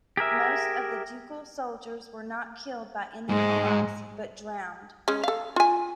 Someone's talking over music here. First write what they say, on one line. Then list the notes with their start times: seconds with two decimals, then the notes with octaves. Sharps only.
Most of the ducal soldiers were not killed by enemy arms, but drowned.
0.17 G4 G#4 A#4 E5
3.29 G#2 G#3
5.08 G#3 C#4
5.23 A4 F5
5.56 F4 G#5